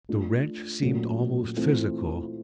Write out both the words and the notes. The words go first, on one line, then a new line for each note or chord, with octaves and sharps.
The wrench seemed almost physical.
A3 D4 F4
A#2 F#3 A3 C#4
E3 A3 C4 F4